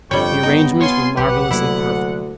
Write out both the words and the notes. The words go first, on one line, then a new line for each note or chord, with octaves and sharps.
The arrangements were marvelously perfect.
G1 F2 D3 G3 C#5 G5 C#6
B3 D#4
F4 C#5 G#5 C6
B1 G4 B4 F#5
D2 C3 F#3 A#3 E4